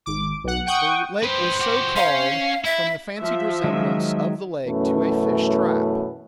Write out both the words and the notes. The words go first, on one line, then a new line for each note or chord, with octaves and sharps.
The lake was so called from the fancied resemblance of the lake to a fish trap.
G#1 D6
B1 F#5
F#5 G5 C#6 D#6
G4 B4 C5
F#4 G4
C#4 F5
E4 E5
F3 E5
D#3 F#3 G#3
F#2 B2 E3 A3 C#4